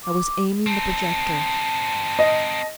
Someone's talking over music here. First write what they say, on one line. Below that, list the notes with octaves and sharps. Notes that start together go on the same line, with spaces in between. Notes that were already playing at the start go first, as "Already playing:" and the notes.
I was aiming the projector.
D6
C4 D#4 A5
D#5